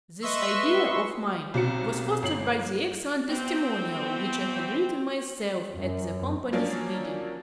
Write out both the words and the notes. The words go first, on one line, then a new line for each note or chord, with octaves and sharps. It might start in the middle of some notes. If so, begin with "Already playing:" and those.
This idea of mine was fostered by the excellent testimonial which I had written myself at the Company's bidding.
B4 D#5 E5 C6 C#6 E6
B1 C3 F#4 C#7
G1 C7 F#7
B2 E3 B3 C4
F#2
F3 F#3 A#3 C#4 D4